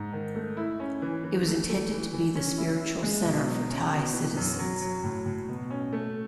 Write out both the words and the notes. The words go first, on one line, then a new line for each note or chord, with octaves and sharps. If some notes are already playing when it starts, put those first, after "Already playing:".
It was intended to be the spiritual centre for Thai citizens.
Already playing: G#2
D#3
A3
E4
C#4
E3
E3
A3
A3
E3
E3
C#4
E4
E4
G#3
B2
F#3
C#4
B2
E3
F#2
F#3
F#3
A2
A2
B2
C#4
A3